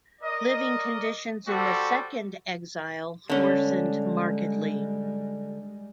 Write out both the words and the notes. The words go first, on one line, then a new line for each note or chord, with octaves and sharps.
Living conditions in the "second exile" worsened markedly.
A#4 D5 D#5
G3 C4 F#4 A4
D3 G3 G#3 C#4